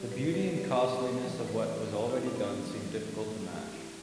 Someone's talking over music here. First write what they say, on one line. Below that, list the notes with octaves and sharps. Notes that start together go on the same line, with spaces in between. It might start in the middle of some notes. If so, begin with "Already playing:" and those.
The beauty and costliness of what was already done seemed difficult to match.
Already playing: G3
G2 B4
B3 B4
G3 B4
G4
B3
E3 D5
D4 B4
G3 D5
D3
E4
G4
D4
A3 B3
D4
E3
G2
A3
A3
G4
E4